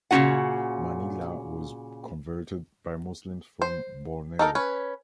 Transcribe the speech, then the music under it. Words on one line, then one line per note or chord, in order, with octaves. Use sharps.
Manila was converted by Muslims from Borneo.
A#2 C#3 A#3 D#4 F#4 F#5
C5
D#4 A4 A#4
C#4 B4